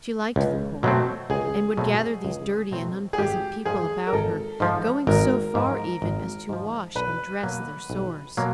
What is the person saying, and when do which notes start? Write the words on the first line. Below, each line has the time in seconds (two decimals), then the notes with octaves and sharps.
She liked the poor, and would gather these dirty and unpleasant people about her, going so far even as to wash and dress their sores.
0.36 C#2
0.83 B2 F#3 A3 C4
1.30 C#2 G#4
1.77 B2 F#3 A3 C4
2.25 C#2
2.71 B2 F#3 A3 C4
3.13 G#4
3.18 G#1 G4
3.65 G#2 F3 G#4
4.07 A#4
4.13 G#1 A4
4.60 G#2 F3
5.07 G#1 A#4
5.55 G#2 F3
6.02 G#1
6.49 G#2 F3
6.95 B1 B4
7.43 B2 F#3 A#3
7.90 B1
8.37 B2 F#3 A#3